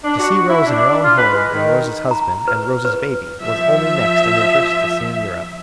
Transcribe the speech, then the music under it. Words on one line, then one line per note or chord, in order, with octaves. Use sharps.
To see Rose in her own home, and Rose's husband, and Rose's baby, was only next in interest to seeing Europe.
D4
F#4
E4
D4
F4
B4
G#3
D#3
A#5
B4
B4
F3 E5